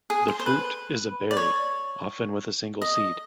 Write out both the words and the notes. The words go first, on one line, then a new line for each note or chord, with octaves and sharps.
The fruit is a berry, often with a single seed.
G#4
C5
C5
B4
D5
C#5
D#5